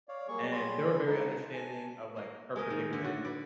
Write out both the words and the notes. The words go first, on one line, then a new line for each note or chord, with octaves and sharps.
and they were very understanding of, like, her predicament,
C#5 D5 F5
F#3 G3 A#3 G#4 C#6
B5 C6
G#3 D#4 F#5 A5
G#5
A#3
G#3 A#4 D#5 E5
D#3
D3 E5
F#4
B4 D5